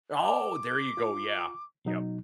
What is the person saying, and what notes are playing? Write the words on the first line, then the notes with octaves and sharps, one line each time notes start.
Oh, there you go, yeah, yep.
D6
F4
B2 F#3 D#4